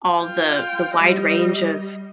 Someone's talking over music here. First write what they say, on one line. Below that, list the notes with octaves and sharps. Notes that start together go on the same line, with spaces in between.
all the the wide range of
F4 G5
G3 D#5